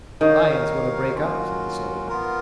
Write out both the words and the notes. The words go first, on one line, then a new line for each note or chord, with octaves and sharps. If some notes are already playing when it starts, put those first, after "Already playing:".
"Flying's going to break out," said the soldier.
D#3 D#4 A#4 C#5 F5
F#3 A#3 C#4 F4
B3 F4 A#4